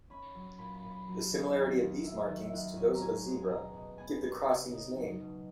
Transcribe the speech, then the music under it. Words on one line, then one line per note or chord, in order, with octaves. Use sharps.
The similarity of these markings to those of a zebra give the crossing's name.
C#4 B5
F#3
A#2 B5
B5
A#2
B5
F#3
D#3
D#2
D#2
F#3 E5
D#3
E5
D#2 F#5
C#4
A#5
C#4 G#5
G#3
G#5
B2 A#5
B2
B3 G#5
G#3
C#3
D#4
F#3
B2